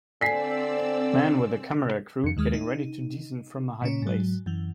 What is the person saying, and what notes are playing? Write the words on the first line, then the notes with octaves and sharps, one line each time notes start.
Man with a camera crew getting ready to descend from a high place.
D3 C4 D5 G#5 E6 B6 C7
F2 C#7
D#2 D#3 G#3 D#6 F6
D#4
A#2 C#3 C#4
G#2 F#3
F#2 E3